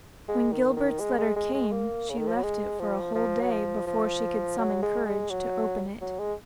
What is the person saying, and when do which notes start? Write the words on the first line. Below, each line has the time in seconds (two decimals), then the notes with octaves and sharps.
When Gilbert's letter came she left it for a whole day before she could summon courage to open it.
0.28 G#3
0.52 D#3
0.76 D#3
1.00 G#3
1.18 G#3
1.36 G#3
1.54 G#3
1.72 A#3
2.10 C#3
2.18 D#3
2.27 F3
2.35 F#3
2.43 G#3
2.80 F3
3.15 F3
3.40 F#3
3.51 F3
3.87 F3
4.58 F#3
4.82 G#3
5.05 G#3
5.30 F#3
6.01 F#3
6.19 G#3